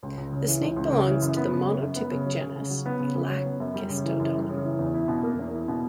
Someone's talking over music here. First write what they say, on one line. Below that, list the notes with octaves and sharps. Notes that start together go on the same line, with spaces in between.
The snake belongs to the monotypic genus "Elachistodon".
C#2
C#2
C#3
E3
C#2
C#2
C#3
E3
F#2
B3
C#3
F#3
F#2
B3
C#3
F#3
C#3
C#3
F#3
B3
C#3
C#3
F#3
B3
F#2
G3
C#3
E3
F#2
G3
C#3
E3
E2
E4
B2
A#3
E2
E4
B2